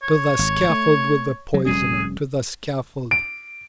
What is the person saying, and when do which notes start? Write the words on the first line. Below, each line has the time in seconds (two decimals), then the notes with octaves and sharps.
To the scaffold with the poisoner--to the scaffold!
0.03 C#5
0.39 G#1
0.69 A3
1.54 F#3
1.66 F1 G3 C#4 G#4
3.11 D7